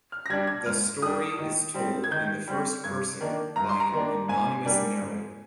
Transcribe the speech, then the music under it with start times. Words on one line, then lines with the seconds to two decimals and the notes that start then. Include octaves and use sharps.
The story is told in the first person by an anonymous narrator.
0.12 F6
0.26 A#6
0.30 G3 D4 G#6
0.47 G#6
0.66 G#2 F6
1.02 G3 D4 D#6
1.38 D#3
1.74 G3 C4
2.04 G#6
2.11 D#3 G6
2.48 G3 C4
2.84 G2 G#6
3.21 D#3 A#3 D4
3.56 G2 A#5
3.69 C6
3.80 A#5
3.92 D#3 A#3 D4
4.28 G#2 G#5
4.65 G3 A#3 D4
5.02 G#2